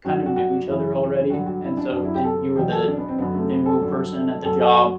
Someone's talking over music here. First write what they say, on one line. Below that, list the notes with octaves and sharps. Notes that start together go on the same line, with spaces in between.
kind of knew each other already, and so and you were the new person at the job,
G2 F#3 F#4
F#4
F#4
F#2 E3 E4
G2 D3 F#3 F#4
F#4
E4
D4
F#2 F#3 D4
E4
G4
A4
E2 B2 F#3 G4
A4
D4
B3
C4
F#2 D3 F#3 B3
A3
B3
A4
G2 D3 F#3
F#2 F#3 A4
A4
F#4